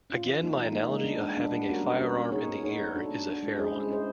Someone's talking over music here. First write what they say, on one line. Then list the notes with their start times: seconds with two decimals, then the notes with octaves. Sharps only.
Again my analogy of having a firearm in the ear is a fair one.
0.10 C#4 F4
0.25 E3
0.42 G3 A#3 D#4
0.57 E3
0.73 G3 A#3 D#4
0.89 G#3
1.04 B3 D4
1.20 G#3
1.37 B3 D4
1.52 G3
1.68 A#3 C#4 F#4 A#4
1.84 G3
2.00 A#3 C#4 F#4 A#4
2.16 B3
2.31 D#4 G#4 C#5
2.47 B3
2.63 D#4 G#4 C#5
2.79 A3
2.95 D4 F#4 A4
3.10 A3
3.27 D4 F#4 A4
3.43 G#3
3.58 C#4 E4 G#4 C5
3.74 G#3
3.90 C#4 E4 G#4 C5